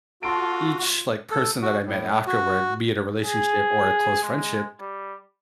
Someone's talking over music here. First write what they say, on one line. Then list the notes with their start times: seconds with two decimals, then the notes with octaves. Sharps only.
each, like person that I met afterward, be it a relationship or a close friendship
0.23 F4 F#4 A4 A5 C6 D7
1.31 A4
1.62 F#4
1.86 A2
2.27 F#4
3.24 G#4
4.23 G#3
4.80 G3